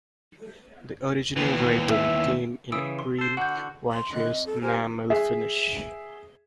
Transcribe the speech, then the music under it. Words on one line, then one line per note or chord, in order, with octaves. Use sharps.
The original Rayburn came in a cream vitreous enamel finish.
D#2 E3
E5
C#3 E3 D#6 E6 D7
C6
A4 C5
D3 F#4 F#5 G6
C6
D3 D#3 D#5 F#6
F2
A4
G4 A#4 C5 G#5
G#4 E5